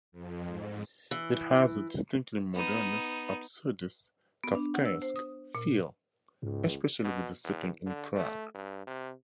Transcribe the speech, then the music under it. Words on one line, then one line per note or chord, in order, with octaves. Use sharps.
It has a distinctly Modernist, Absurdist, Kafkaesque feel, especially with the setting in Prague.
F2
G#2
E3
B3 D#4
B3
D4
F#5
E6
C5
D#6
A#2
C#2 G#2
B2
E2
D3
A3
G2
C3